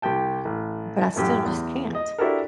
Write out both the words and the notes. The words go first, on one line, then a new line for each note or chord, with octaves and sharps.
but I still just can't.
C2 G4 G5 A5
A1
A1 F#2 G4
E2
D#5
D4 E4 F#4 G4 A4 A#4